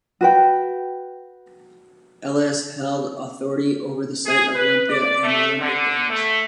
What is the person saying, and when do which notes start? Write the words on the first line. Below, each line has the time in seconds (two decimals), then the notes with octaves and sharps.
Elis held authority over the site of Olympia and the Olympic games.
0.21 F#4 B4 G5
4.25 G#4
4.55 B4
4.89 D5
5.23 A3
5.59 D3
6.10 A3